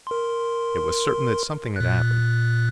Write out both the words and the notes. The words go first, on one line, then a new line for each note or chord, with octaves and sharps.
It was certain that something had happened.
A#4 C6
A#2 F#6